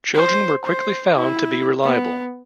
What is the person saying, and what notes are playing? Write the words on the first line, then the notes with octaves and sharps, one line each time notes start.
Children were quickly found to be reliable.
C5
C5
E4
B3